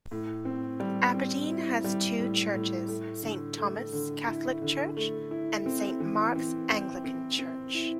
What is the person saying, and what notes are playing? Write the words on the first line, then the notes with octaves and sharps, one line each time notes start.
Aberdeen has two churches - Saint Thomas Catholic Church, and Saint Marks Anglican Church.
A2
C4
G3
C4
E4
G3
A2
A2
A3
D3
A3
D3
E4
D3
A3
E4
C4
E3
C4
C4
C4
C4
E4